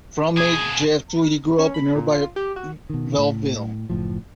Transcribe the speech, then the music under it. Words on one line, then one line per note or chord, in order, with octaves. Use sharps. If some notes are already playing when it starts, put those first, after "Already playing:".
Frontman Jeff Tweedy grew up in nearby Belleville.
B2 G#4 G#5
C#4
B5
A#2
F4
G4
F#4
B2 D#3
A2
F#1 A2 F3